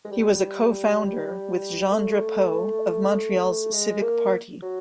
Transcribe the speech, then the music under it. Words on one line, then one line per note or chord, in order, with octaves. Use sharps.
He was a co-founder with Jean Drapeau of Montreal's Civic Party.
G#3
G3
A3
G#3
A#3
F#3